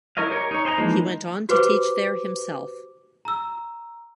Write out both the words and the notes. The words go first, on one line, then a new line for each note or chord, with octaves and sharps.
He went on to teach there himself.
E4 A#4 C#5 D#5 F5
G4 A#4 C#5
D#4 C#5
C5 D#5 G5 A#5
E3 F3 G#3 A#3 D#4
F#4 G4 B4 C5 D6
A#5 E6